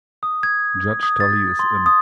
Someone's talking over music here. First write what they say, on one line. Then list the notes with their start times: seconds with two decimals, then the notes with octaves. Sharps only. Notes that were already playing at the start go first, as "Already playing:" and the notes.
Judge Tully is in.
0.23 D#6
0.43 G#6
1.03 D#6
1.20 A6
1.59 C6
1.86 D#6